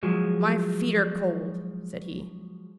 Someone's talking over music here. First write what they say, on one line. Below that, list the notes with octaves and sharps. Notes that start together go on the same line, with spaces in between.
"My feet are cold!" said he.
F3 F#3 G#3